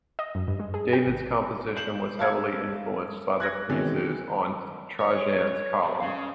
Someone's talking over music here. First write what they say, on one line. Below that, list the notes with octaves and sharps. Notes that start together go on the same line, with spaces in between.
David's composition was heavily influenced by the friezes on Trajan's column.
D#5
F#2
G2
G#3
G#4
G5
G#1
G6 C7 E7 F#7
A3 F5 A5 E6 G#6
F#6 G#6 A#6
B2 D#3 E3 G#3 C4 C#4
C#5
C3
C#4 F5